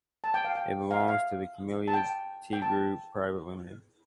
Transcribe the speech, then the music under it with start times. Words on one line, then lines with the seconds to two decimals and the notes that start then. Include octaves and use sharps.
It belongs to the Camelia Tea Group Private Limited.
0.24 A5
0.34 G5
0.45 F5
0.55 G5
0.91 F5
1.00 E5
1.08 F5
1.88 A5
1.94 G5
2.53 G5
2.62 A5